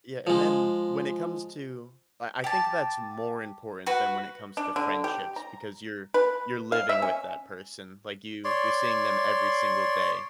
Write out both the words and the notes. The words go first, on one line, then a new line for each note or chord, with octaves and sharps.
Yeah, and then when it comes to I I think that's more important than when it comes to friendships because you're you're living with that person. Like, you you're seeing them every single day.
F3 G#3
G4 A5
F#4 B4
D4
D3
G4
A#5
B4
F5
E5
C#4
C#5 D5 C6